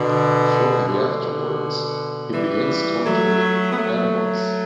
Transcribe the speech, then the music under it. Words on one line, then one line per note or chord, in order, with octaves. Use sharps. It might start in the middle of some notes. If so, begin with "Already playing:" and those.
Shortly afterwards, he begins torturing animals.
Already playing: B2 D3
B2 D3
E3 G3
F#3 A3
B3
F#3 A3